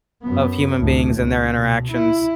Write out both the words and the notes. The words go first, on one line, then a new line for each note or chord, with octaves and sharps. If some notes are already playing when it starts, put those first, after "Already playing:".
of human beings and their interactions.
F#2 B3
D2 A2
C#2
B2
E4